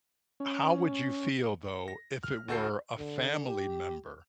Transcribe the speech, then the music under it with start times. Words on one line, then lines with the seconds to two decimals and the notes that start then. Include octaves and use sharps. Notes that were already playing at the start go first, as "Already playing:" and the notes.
how would you feel though if it were a family member
0.40 C#4
1.88 A#6
2.23 F6
2.48 D2 F#4 A4 G6 C7
2.99 D3
3.48 G4